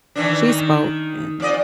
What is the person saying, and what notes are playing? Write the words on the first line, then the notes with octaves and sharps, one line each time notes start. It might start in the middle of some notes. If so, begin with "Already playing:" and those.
she spoke and
D#3 E3 D4
D#3
F2 D5 D#5